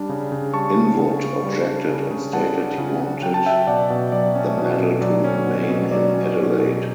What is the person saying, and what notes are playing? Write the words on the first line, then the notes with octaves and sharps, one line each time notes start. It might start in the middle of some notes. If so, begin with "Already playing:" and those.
Inwood objected and stated he wanted the medal to remain in Adelaide.
Already playing: G3 D4
C#3
C#3
G3 A5 C#6
D4
C#3
C#3
G3
D4
C#3
C#3
G3 F#5 A5
D4
C#3
C#3
F#3 G5
A5
C#4 E5 G5
B2 D5 F#5
B2
F#3 D5
C#4
B2
B2
F#3 D5
C#4
B2
B2
F#3 D5
C#4
B2
B2